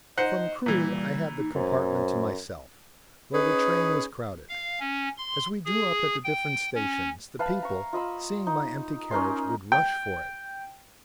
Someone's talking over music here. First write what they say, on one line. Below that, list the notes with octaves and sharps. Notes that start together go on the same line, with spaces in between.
From Crewe I had the compartment to myself, though the train was crowded. As we drew up at the different stations, the people, seeing my empty carriage, would rush for it.
D#4 C5 D#5 F#5
A#2 E3 G3
D#4
F#2 C5
C#4 D#4 G#4 B4
F5
C#4
C6
G#4
G5
C#4
B4 F5 A5 B5
A#5 C#6
F4 D#5 B5 E6
D#4
C#4 D#4 A#4 C6
G5